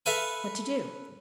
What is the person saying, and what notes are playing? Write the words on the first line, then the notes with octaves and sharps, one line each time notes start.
"What to do?"
A4 B4 E5 F5 G#5